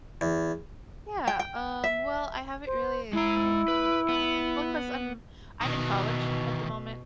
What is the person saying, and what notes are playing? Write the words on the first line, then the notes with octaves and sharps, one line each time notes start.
Yeah, um, well, I haven't really have I done a project? Well, 'cause I'm I'm in college at the moment
E2
G5
G5
E5
C5
G#3 E4 A#5
B4
B3
B2 D#3 E3